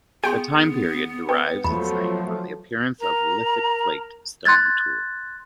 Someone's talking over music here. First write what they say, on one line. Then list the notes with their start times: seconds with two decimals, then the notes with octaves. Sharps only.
The time period derives its name from the appearance of "Lithic flaked" stone tools.
0.24 B3 G#4 G5 C6
1.29 B4 G5
1.64 E2 F3 F#3 A3 B5
3.01 A#4 A#5
4.45 C6 F#6 G#6 A6